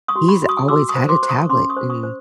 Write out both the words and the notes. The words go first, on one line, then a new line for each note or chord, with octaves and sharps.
he's always had a tablet, and
C#6 D#6
F#4
B5 C#6
F#4
C#6 D#6
F#4 D6 E6
C#6 D#6
C5
C6 D6
C5
C#6 D#6
C#4 C6 D6
C#6 D#6
C5
C#6 D#6
C5